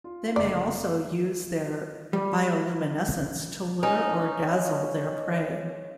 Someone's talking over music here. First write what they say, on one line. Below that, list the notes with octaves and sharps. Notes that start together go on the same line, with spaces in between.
They may also use their bioluminescence to lure or dazzle their prey.
F4
F#1 D3 D5 A#5
G3
C#4 D#4